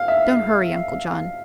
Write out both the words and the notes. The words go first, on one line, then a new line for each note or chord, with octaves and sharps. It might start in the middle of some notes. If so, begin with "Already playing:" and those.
Don't hurry, Uncle John.
Already playing: F5
E5